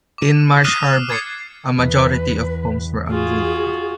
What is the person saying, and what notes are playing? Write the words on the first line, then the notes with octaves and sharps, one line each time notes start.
In Marsh Harbour, a majority of homes were unroofed.
D6 D#7
D#6 F6 F#6 C7 D#7 E7
D6 G#6 A6 C7 C#7
E2 B4
F4 F#4 G#4